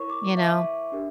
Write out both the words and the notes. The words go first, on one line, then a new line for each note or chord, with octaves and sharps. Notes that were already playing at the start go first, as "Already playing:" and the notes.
You know?
Already playing: E4 A#4 C#5 C#6
D6
E5
D4 G4 A#4